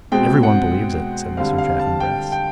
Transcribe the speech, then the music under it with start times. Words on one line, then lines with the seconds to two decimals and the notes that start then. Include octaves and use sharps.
"Every one believes it," said Mr. Chaffanbrass.
0.12 B2 G#3 C4 G5
0.43 F#5
1.37 D3 G3 C4 F5
1.58 F5
1.80 A5
2.00 G5
2.32 G5